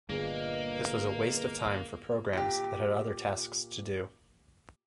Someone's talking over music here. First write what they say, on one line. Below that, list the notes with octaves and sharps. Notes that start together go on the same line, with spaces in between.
This was a waste of time for programs that had other tasks to do.
G1 A#2 G#3 A#3 B4
A#2 G4